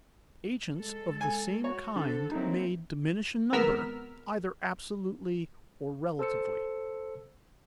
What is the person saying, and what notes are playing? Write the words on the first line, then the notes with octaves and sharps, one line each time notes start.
Agents of the same kind may diminish in number, either absolutely or relatively.
G#3 A4
G#5
F#4 C#5
D3 A4 C5
F#3 A#3 C4 D#4 E4
G#1 B3 A#4 E6 F6 B6
A4 C5 E6 C#7